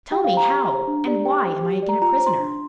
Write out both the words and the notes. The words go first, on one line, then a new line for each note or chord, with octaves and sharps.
"Tell me how and why am I again a prisoner?"
G4 G5
F5
C5
A#5
G4
C5
D4
G4 D5
G4 G5
C5
G4
D5
A#5
F4 A#5
A#5
C5
C6
D4